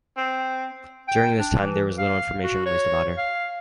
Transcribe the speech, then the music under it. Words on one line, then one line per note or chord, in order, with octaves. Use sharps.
During this time there was little information released about her.
C4
G5
D4
E3
F5
F#4
C#5
F5